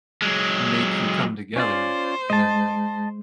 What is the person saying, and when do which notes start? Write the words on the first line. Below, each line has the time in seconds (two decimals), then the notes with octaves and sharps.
make you come together, and, like,
0.22 F#3 G#3
1.56 C#4 F4 C5 D5
2.30 G#3 D#5 A5